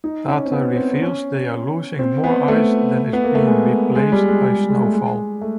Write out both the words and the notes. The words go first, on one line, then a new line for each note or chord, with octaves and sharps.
Data reveals they are losing more ice than is being replaced by snowfall.
D#4
C#4
C4
B3
C4
C4
C#4
C4
B3
A3
B3
A#3
A3
G#3
G#3
G3
G#3
G#3
G#3
A3
G#3
A3